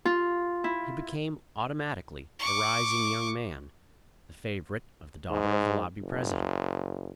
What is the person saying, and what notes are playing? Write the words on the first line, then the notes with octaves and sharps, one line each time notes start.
He became automatically a rising young man, the favorite of the daughter of the Lobby president.
F4
E4
C#6 D6
G#2
F#1